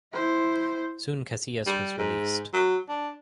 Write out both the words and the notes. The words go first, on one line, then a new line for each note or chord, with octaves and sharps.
Soon Casillas was released.
E4 C5
G3
G#2
F#3
D4